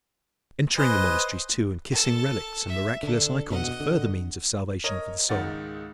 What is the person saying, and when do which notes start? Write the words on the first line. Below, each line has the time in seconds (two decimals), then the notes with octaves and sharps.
Entering monasteries too and kissing relics and miraculous ikons, are further means of salvation for the soul.
0.78 B4 C5 D#5 G#5
1.92 A4 A5
2.67 E5
3.03 D3 D4 A4
3.50 B2 D#5 F#5
3.80 D3
4.84 A#4 C#5 D#5
5.29 C#2 G#2 D#3 F#5 A6